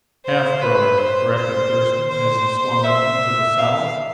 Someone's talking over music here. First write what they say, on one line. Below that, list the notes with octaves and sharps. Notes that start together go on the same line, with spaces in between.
"Half brother," corrected Thurston, as he swung up into the saddle.
C5
B4
C5
C5
C5
E5
F5